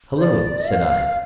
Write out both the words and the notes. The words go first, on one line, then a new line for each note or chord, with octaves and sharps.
"Hullo," said I.
C5
D5
F5
F5